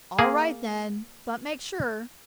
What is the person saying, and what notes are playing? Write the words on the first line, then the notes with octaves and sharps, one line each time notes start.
"All right, then, but make sure."
A#3 G#4